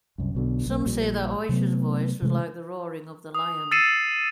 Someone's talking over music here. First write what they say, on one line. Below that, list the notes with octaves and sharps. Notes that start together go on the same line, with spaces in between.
Some say that Oysher's voice was like the roaring of the lion.
C2 F#2
B1 B2 D3
B1 A#3
A#1 A#2 G3
C3 F#3 A3 B3
C3 E3 G#3 A3
D#6
E6 A6 C7 C#7 D#7 E7